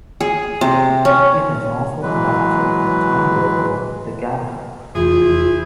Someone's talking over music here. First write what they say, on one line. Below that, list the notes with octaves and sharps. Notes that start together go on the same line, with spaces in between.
It has also adopted a town logo, the galah.
G#4
C3
C#4
E3 F#3 G#3 B4
F1 E2 E4 F4 G#4 C5